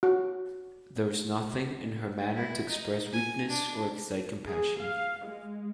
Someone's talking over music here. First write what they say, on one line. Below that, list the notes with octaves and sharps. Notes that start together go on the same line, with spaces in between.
There is nothing in her manner to express weakness or excite compassion.
F#4
E4
D#4
G#5
D4
G#4
F5
G#3